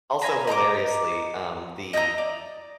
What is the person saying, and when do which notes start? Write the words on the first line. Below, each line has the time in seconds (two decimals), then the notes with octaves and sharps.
Also, hilariously, um, the
0.21 F5 G#5 A#5 B5
0.47 D#5 A#5 C#6 D6
1.93 D#5 E5 G5 A#5
2.18 D5